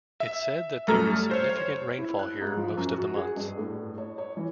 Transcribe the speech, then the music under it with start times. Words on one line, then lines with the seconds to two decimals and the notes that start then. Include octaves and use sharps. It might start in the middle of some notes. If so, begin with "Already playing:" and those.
It said that there is significant rainfall here most of the months.
0.20 E5
0.88 F#2 G3 A3 A4 A#5 F6
1.31 C5 C#5
1.49 C#5
1.98 E4
2.19 F#6
2.41 G#2
2.56 F3
2.77 F#2
2.92 F#4
3.15 G#4
3.36 G2
3.58 A2
3.98 C#5
4.18 C#5
4.37 E3